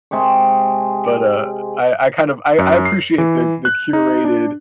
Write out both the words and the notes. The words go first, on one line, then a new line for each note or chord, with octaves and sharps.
but, uh, I I kind of I I appreciate the the curated
C3 G#3 G4 C#6
F#2
C7
E3
F#6
D#4
D4